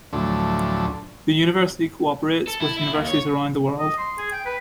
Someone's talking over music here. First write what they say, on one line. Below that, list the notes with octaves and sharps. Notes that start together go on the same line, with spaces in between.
The university cooperates with universities around the world.
D2 A2 F3 F#3 D4 A4
A4
E4
E4
D#2
C#5
D#5
C6
G#4
G5
B4